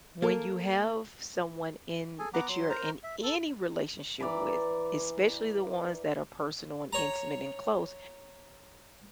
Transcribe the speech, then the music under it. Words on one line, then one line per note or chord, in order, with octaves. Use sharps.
When you have someone in that you're in any relationship with, especially the ones that are personal and intimate and close,
A#3 A4 A#4
G#4 A4 G#5
B3 F#5 A#5 D6
F#3 C6
A#4 C5 A#5
E5
A4
E3 D5 A#5 B5
C#5 A#5